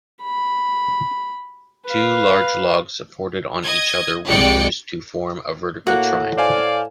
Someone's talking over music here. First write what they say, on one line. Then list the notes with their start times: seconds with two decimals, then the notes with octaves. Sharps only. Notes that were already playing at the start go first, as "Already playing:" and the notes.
Two large logs supported on each other were used to form a vertical triangle.
0.22 B5
1.86 B4 F5
3.64 D#5 G#6
4.27 C2 G#3 D5 G5 C#7
5.87 A2 A#3 F#4 F#5
6.38 C5 D5 F5 G#5